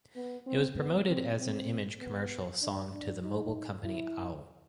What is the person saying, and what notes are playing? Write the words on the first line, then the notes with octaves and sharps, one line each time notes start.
It was promoted as an image commercial song to the mobile company au.
B3
C4
B3
C4
C4
B3
D4
D4
D#4
E4